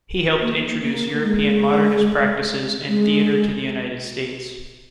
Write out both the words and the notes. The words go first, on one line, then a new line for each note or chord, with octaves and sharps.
He helped introduce European modernist practices in theatre to the United States.
A#3
A#3
G#3
G#3